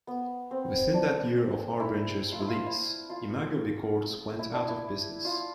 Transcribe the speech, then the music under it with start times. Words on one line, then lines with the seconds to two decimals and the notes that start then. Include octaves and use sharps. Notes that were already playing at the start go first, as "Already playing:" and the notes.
Within that year of "Harbinger"'s release, Imago Records went out of business.
0.07 B3
0.51 C4
0.94 D4
1.80 E4
2.32 F4
2.40 E4
2.48 F4
2.66 E4
3.10 F4
4.39 E4
4.53 D4
4.68 E4
5.25 F4